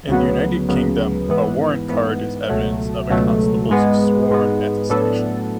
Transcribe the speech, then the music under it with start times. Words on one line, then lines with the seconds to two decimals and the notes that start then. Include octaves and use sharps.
In the United Kingdom, a warrant card is evidence of a constable's sworn attestation.
0.08 D2 C#3 F#3 B3
0.69 D2 C#3 F#3 B3
1.28 G#2 E3 B3
1.90 G#2 E3 B3
2.49 C#2 B2 F#3 A3
3.10 C#2 B2 F#3 A3
3.69 G#2 G#3 B3
4.30 G#2 G#3 B3
4.90 A2 F#3 B3 D4 A4